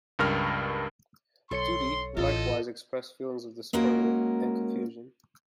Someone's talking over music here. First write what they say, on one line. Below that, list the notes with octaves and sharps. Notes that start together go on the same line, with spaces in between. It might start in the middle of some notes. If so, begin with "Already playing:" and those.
"Duty" likewise expressed feelings of disappointment and confusion.
C#2 G2 A#4 F6
B1 A4 C#5 C6 C#7
A1 F4 A4 D#5
G#3 A#3 C#4 F#4 A#4